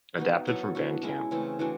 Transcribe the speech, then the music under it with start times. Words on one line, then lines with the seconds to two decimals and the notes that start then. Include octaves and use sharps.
Adapted from Bandcamp.
0.18 B3 D#4 F#4
0.47 F#3 B3 E4 A4
0.75 B3 D4 F#4
1.03 G#3 C#4 E4
1.31 C#3 E3 A3 C4
1.59 E3 A3 D4 F#4